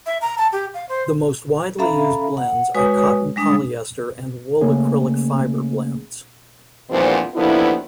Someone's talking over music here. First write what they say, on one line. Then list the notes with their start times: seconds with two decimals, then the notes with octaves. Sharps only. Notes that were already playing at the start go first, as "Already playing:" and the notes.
The most widely used blends are cotton-polyester and wool-acrylic fibre blends.
0.06 E5
0.21 A#5
0.38 A5
0.52 G4
0.74 F5
0.89 C5
1.79 C#4 A4 E5 F5 A#5 B5
2.37 F#5
2.74 G#3 F#4 B4 C#5 G#5 D#6
3.36 G3 G#3 D4 D#6
4.61 C#3 A3 A#3 C#4 G#4
6.90 E2 G2 A#2 D#3 F3 C4
7.35 D#2 D3 F3 B3 E4